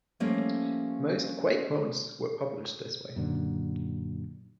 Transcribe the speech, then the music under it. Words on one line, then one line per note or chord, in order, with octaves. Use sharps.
Most "Quake" mods were published this way.
F3 G3 A3 A#3 C#4
F#2 A#2 D3 D#3